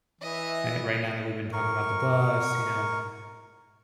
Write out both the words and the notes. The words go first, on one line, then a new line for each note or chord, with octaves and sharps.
eh, right now that we've been talking about the bus, you know,
E3 D#5 E5
A#4 C#6